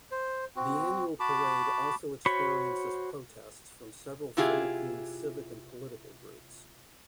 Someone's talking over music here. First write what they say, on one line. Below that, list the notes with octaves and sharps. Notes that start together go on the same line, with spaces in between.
The annual parade also experiences protests from several Philippine civic and political groups.
C5
C4 F#4
F#4 A5 B5 D6
F#4 C5 C#5 B5 C#6
C3 E4 F4 G4 G#4